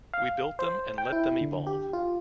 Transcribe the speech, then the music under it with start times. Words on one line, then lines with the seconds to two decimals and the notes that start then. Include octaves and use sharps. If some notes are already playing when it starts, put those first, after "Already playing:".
We built them and let them evolve.
0.13 F5
0.59 C5
0.98 G5
1.12 E4
1.41 D3
1.67 G4
1.93 F4